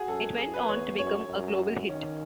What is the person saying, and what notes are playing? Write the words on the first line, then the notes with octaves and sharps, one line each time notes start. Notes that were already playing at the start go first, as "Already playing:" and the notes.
It went on to become a global hit.
Already playing: F#4 G#4
F#2 A4
G#4
B4
E2 C#5
F#2 C#5
F#2
D#3 C#4
C#4